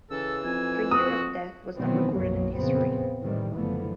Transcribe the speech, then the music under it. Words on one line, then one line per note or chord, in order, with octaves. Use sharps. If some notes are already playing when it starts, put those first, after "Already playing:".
Her year of death was not recorded in history.
C#3 E3 A4 E6
F2 G#5
F#4 D#6
B2 D#3 E3 F#3 B3 C4
F#1 B1 F2 B2 F#3 A#3
F2 A#2 C#3 B3 C4
A2 C3 D#3 E3 G3
F#1 D3 E3 F3 A3 B3